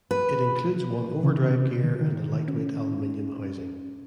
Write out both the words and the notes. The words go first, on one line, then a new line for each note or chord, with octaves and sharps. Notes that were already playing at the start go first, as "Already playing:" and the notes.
It includes one overdrive gear and a light-weight aluminum housing.
B4
C#3
C3
D#3
D#3
C#4